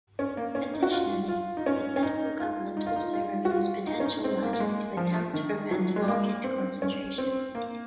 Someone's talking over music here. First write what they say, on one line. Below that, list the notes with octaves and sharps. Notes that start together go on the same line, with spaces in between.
Additionally, the federal government also reviews potential mergers to attempt to prevent market concentration.
C#4
A#3
C#4
D#4
F#4
F4
F4
D#4
C#4
C#4
D#4
F4
D#4
F4
D#4
F4
F#4
F4
D#4
C#4
D#4
C4
A#3
A#3
G#3
F3
D#3
F#3
G#3
A#3
C4
C#4
C4
A#3